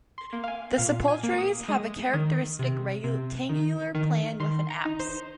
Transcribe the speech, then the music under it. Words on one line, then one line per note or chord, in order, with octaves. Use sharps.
The sepulchres have a characteristic rectangular plan with an apse.
C6
A#3
F5
G#5
A#2 F5
G#5
A#3
D#6
G#3 D#6
D#3 D#6
C3
C3
D#3
D#3
D#3 C6
A#5
D#4
C5